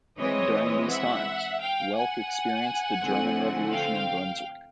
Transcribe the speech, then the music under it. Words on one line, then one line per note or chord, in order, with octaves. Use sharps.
During these times, Welk experienced the German Revolution in Brunswick.
E3 G#3 C4 C#5 D#5
E5 F#5
F5 G5
F#5 G#5
D3 F3 A3 C4
F5 G5